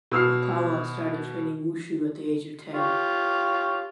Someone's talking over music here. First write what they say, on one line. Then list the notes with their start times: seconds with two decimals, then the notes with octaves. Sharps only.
Okawa started training wushu at the age of ten.
0.12 B2 E6 F6 C7
2.73 F4 G4 C#5